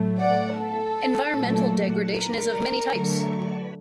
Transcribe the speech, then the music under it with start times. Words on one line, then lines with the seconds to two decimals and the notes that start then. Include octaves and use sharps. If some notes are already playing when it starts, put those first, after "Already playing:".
Environmental degradation is of many types.
Already playing: A2 F#3 A3
0.19 D5 F#5
0.58 A4
1.36 A#2 F#3 A3
2.13 A#4
2.91 D3 F#3 A3